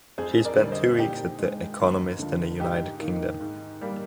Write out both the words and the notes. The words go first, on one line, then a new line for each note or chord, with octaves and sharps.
She spent two weeks at The Economist in the United Kingdom.
F2 G#4 C5
A#4 D5
D3 G3
C5 D#5
A#2 D#4 G4
G#3
D#2
D3 F3
G#2 D#4 G4
D#3 A#3
G#2
G3 A#3